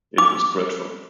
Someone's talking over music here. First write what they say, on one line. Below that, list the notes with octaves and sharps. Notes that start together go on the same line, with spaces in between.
It was dreadful.
D6